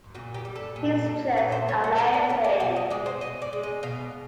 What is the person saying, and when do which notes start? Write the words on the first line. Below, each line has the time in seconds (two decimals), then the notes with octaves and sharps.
He's just amazing.
0.15 A#2 F#4
0.34 G4
0.45 G3
0.56 A4
0.76 A#2
1.06 G3
1.37 A#2 B4
1.52 C5
1.68 G3 C#5
1.84 F#5
1.98 A#2 E5
2.14 D5
2.29 G3 C#5
2.44 D5
2.60 B2 D5
2.76 D#5
2.90 G#3 D5
3.06 C5
3.21 B2 D#5
3.42 D5
3.53 G#3
3.63 D#5
3.83 B2 F5